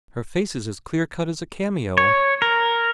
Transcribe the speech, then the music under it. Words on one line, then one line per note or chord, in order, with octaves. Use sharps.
Her face is as clear-cut as a cameo.
C#5
A#4